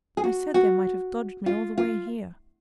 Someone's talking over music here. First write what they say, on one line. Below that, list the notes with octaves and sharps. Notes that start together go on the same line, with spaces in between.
"I said they might have dodged me all the way here."
G#4
F#4
F#4
F4
F4